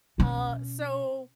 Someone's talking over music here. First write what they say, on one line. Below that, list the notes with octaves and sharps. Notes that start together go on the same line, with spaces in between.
Uh, so
B2 C#4